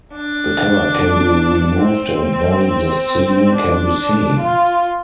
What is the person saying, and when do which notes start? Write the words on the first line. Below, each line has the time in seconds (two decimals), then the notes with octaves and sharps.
The cover can be removed and then the scene can be seen.
0.14 D4
1.84 C4
3.54 D4
4.39 F4